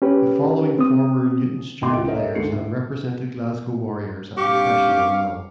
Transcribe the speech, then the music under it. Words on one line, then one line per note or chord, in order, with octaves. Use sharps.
The following former Newton Stewart players have represented Glasgow Warriors at professional level.
C#4 G4 B4
C4 D#6
D#2 A2 D#5 G5 C6 D6
C#2 E4 F4 G5 D7
A4 A#4 C#5 D#5 E5
D2 G#2 G#3 A3 C7 C#7
A2
G2 C4 G4 F5 C#6 D6